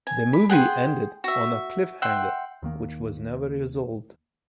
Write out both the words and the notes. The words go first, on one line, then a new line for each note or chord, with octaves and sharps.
The movie ended on a cliffhanger, which was never resolved.
G#5
B5
G#4 F#5 G5 C6
F#4 E5
E5 F#5 G5 C6
D#2 D#3 A#3